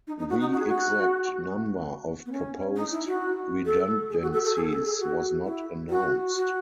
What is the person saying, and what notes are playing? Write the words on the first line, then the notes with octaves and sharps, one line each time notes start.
The exact number of proposed redundancies was not announced.
D#4
D#4
F#4
D#4
F#4
G#4
F#4
B3
C#4
D#4
E4
F#4
A4
G#4
F#4
A4
A4
G#4
A4
G#4
F#4
E4
F#4
F#4